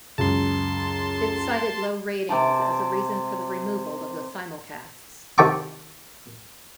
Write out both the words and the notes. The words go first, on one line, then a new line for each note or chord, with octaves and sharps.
It cited low ratings as a reason for the removal of the simulcasts.
C#2 F#2 A5 C6
C3 C5 A5 D6
C3 D#3 G5 A5 C#6 D6